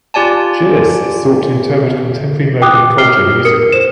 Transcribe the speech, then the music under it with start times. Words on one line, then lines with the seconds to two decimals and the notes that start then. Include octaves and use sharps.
Gillis sought to interpret contemporary American culture musically.
0.14 F4 G4 D5 G#5 A5
2.62 G5 D6 D#6 F#6
2.98 F6 C7 G7
3.45 A#4 D#6 C#7
3.72 C5 E7